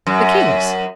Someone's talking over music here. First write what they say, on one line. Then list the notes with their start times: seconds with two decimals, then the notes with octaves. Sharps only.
The king's.
0.07 F#2